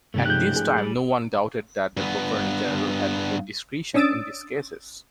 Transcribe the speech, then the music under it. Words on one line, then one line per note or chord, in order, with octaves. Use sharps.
At this time no-one doubted that the Governor-General had a discretion in these cases.
G2 C3 D#3 A3 C#4 G4
G#2 F3 F#6 G6
G#4
G3
G2 B3
C#4 D4 D#6 E6 A6 D7